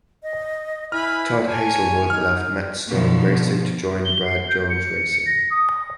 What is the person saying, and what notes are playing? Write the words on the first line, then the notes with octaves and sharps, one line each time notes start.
Todd Hazelwood left Matt Stone Racing to join Brad Jones Racing.
D#5
E4 B4 G#5 B5 F6
C#5 G#5 A5
D#4 F6
B2 D3 D#3 F3
G7
C7
G6
C#7
A#6
D#6